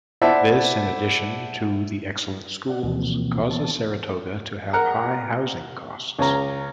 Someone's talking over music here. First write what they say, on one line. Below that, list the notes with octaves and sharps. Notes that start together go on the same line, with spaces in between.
This, in addition to the excellent schools, causes Saratoga to have high housing costs.
E4 C5 D5 E5 F#5 A5
D5 F#5
D2 B2 E3 F3 A#3 C4
E3 B3 A5
A#4 F#5 A#5
C#2 C#4 A#5